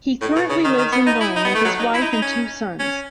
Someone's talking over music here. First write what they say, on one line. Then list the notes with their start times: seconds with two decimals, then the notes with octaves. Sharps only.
He currently lives in Rome with his wife and two sons.
0.21 A2
0.36 B2
0.50 C#3
0.64 D#3
0.78 D#3
0.92 B3
1.07 D#4
1.21 E4
1.36 D#4
1.45 B3
1.55 A3
1.65 F#3
1.79 D#4
1.94 E4
2.02 D#4
2.13 D#4
2.22 C#4
2.79 C#4